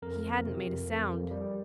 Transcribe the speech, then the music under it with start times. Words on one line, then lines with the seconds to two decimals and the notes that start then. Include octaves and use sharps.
He hadn't made a sound.
0.02 F2 A#4
0.24 F2
0.46 C3
0.66 F2
0.87 F2
1.09 F2
1.31 G3